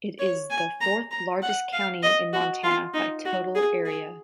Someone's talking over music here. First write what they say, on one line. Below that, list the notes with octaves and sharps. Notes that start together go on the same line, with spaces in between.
It is the fourth-largest county in Montana by total area.
C#5
G#5
A#5
A#5
F#5
F5
D#5
F#4
F4
D#4
F#4
G#4
G#4